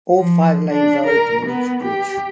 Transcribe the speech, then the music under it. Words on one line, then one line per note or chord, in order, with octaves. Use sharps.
All five lanes are open on each bridge.
F3
D4
A#4
B3
G4